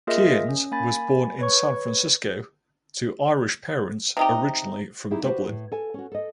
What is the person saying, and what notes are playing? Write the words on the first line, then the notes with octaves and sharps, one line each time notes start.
Kearns was born in San Francisco to Irish parents originally from Dublin.
A#3 F4 G#4 A#4 D#5 E5
C#4
A#3 G#5 B5 A6
B4 C#5 C#6
C3 D#4 G4
C4 C#4 D#4 E4 G4 G#4
F#4 G4 B4 C5
A2
A4 G#5
C#4 F#4
A4 D#5